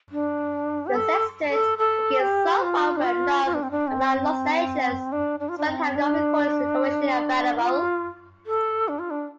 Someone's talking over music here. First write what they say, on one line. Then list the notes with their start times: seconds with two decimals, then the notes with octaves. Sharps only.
The Sextet became somewhat well-known around Los Angeles, despite having no recordings commercially available.
0.12 D4
0.87 G4
0.95 A4
1.50 A4
1.78 A4
2.20 G4
2.62 F4
2.97 D4
3.04 F4
3.45 F4
3.54 D4
3.63 C4
3.71 D4
3.87 C4
5.12 D4
5.40 D4
5.49 F4
5.58 D4
5.68 C4
5.96 D4
7.62 F4
8.46 A4
8.88 D4
8.99 F4
9.10 D4